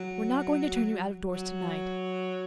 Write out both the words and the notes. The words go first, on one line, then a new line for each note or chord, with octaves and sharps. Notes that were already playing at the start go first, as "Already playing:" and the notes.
We're not going to turn you out-of-doors to-night.
Already playing: F#3
F#3